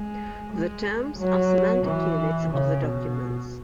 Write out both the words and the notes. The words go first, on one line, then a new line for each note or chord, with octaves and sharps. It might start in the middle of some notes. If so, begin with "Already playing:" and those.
The terms are semantic units of the documents.
Already playing: G#3
G#3
F#3
E3
C#3
B2